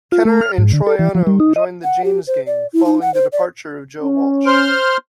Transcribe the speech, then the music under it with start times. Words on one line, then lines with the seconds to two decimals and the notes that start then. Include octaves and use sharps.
Kenner and Troiano joined The James Gang, following the departure of Joe Walsh.
0.12 F4
0.25 A3
0.41 F6
0.58 G#2
0.73 D3
0.87 A4
0.99 E3
1.15 F3
1.27 G3
1.40 D#4
1.56 D#5
1.84 F#5
2.04 G4
2.27 C5
2.46 D5
2.73 E4
2.86 D#4
3.01 F#5
3.14 C5
3.32 D5
4.01 C#4
4.47 C5 C6 F6